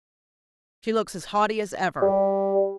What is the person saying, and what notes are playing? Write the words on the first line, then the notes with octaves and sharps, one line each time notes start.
She looks as haughty as ever.
G3